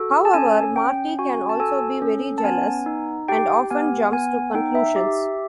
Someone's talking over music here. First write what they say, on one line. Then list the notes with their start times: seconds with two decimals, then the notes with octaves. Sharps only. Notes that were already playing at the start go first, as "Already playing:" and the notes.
However, Marty can also be very jealous, and often jumps to conclusions.
Already playing: F#4 A4
0.25 A5
0.34 C#4 G#5
0.76 C#4 G5
1.19 F#4 G#5
1.49 A5
1.60 A4 G#5
2.02 C#4
2.38 A5
2.44 B3 G#5
2.86 D#4
3.28 G4 G5
3.70 B3 G#5
4.12 B3 G#5
4.54 D#4 G5
4.75 E5
4.96 G4